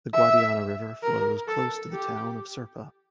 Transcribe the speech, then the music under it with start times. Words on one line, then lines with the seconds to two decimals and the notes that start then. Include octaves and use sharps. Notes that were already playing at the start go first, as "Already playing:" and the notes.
The Guadiana River flows close to the town of Serpa.
0.13 E5
1.03 A#4
1.48 A4
1.93 G4